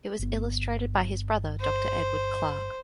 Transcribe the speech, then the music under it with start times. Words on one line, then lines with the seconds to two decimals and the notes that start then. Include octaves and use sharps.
It was illustrated by his brother Dr Edward Clarke.
0.19 G1 B3
1.61 C5